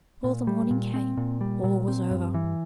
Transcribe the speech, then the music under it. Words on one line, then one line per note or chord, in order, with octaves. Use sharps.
Before the morning came all was over.
A#2
G3
A#2
C4
A#2
G3
A#2
C4
G2
E3